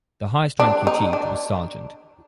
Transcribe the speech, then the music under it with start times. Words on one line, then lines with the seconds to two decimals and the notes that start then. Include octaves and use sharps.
The highest rank he achieved was sergeant.
0.60 D4
0.87 D#4
1.13 D4